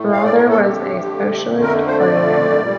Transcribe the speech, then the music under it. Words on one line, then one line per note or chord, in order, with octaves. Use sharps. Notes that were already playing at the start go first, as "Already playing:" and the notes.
Reuther was a Socialist Party member.
Already playing: A2 A3
F5
D5
A#4
A4
F2 D3 A3 G4
A#4
C5
D5
A#2 G3